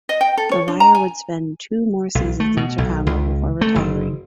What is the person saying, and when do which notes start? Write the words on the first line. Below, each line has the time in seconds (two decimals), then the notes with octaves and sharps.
LaValliere would spend two more seasons in Chicago before retiring.
0.09 D#5
0.21 G5
0.37 A4
0.52 C#5
0.68 D4
0.80 A#5
0.95 G#5
2.15 B1
2.40 A3
2.57 B2
2.78 B1
3.07 C#2
3.61 A3
3.76 F#1